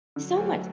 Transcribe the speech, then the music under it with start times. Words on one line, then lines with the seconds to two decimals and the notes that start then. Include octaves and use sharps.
so much.
0.16 D3 F#3
0.37 D2